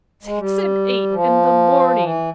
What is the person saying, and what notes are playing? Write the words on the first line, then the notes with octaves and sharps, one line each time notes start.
Six and eight in the morning!
G#3
G3
F3
E3